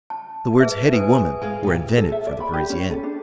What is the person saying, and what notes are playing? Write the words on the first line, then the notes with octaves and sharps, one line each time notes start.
The words heady woman were invented for the Parisienne.
A5
G#4 B4 E5
G#4 B4 G#5
G#3 G#4 F5 G#5
A#2 G4
A4
E5
D5
B5
G4
C#4
A4
D4